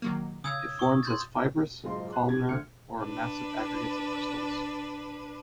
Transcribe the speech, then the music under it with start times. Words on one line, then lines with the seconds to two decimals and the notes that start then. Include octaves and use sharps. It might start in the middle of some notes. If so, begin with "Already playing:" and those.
It forms as fibrous, columnar or massive aggregates of crystals.
0.02 D#3 F#3 A#3
0.44 C#3 D#6 E6 G#6
0.79 C#6 D#6
1.03 C6 G6 A6
1.84 F#1 G#2 F4 D#5 C6
2.10 C6 F#6
2.26 G4 G#6
2.48 D2 F6 C#7
3.02 D4 B4